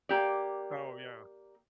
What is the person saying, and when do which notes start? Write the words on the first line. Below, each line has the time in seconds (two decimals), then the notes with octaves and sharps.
Oh, yeah.
0.09 A#3 G4 D5